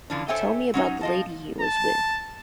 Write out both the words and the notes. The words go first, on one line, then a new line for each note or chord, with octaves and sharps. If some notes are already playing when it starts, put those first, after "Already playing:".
Tell me about the lady he was with.
D3 E3 F3 C#4 D4
A4 C5 C#5 E5 G5 G#5
F#3 C#4 D#4
F3 D#5 A5
A5